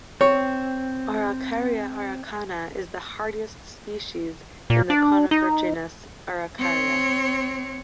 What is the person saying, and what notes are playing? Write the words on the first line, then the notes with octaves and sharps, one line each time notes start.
"Araucaria araucana" is the hardiest species in the conifer genus "Araucaria".
C4 C#5
A#2
D4
D#4
C4 C#5